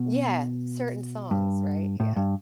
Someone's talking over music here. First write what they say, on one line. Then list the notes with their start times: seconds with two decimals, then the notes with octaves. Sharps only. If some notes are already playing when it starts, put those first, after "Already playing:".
Yeah. Certain songs, right? Yeah.
Already playing: B2
1.31 G2
2.00 A2
2.16 G2